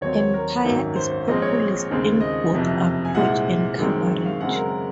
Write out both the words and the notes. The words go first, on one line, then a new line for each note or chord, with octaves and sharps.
"Empire" is populist in both approach and coverage.
D#2 D#3 F#3 C4 C#5
C#5
A#4
G#1 F#2 D#3 F#3 A#3
C5
C5
A#1 A#2 G#3 C4 D#5
C#5
D#2 C#3 G#3 C4
D#5
F#1 F2 C3
G#5
C2 A#2 G#3 C4 F#5
F#2 D#3 G#3 C4
F5
F#2 C#3 G#3 C4 F#5
A#4